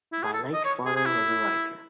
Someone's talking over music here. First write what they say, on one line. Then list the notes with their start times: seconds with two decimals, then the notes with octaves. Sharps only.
My late father was a writer.
0.12 E4
0.23 G#4
0.33 A4
0.54 D#5
0.65 C#5
0.86 G#4
0.96 G#4
1.06 E4